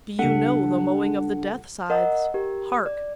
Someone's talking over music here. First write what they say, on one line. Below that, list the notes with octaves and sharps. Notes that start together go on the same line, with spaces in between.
Do you know the mowing of the death scythes? Hark!
C#2 G3 D4 A4 F#5
A#4 D#5 F#5
G4 A#4
D5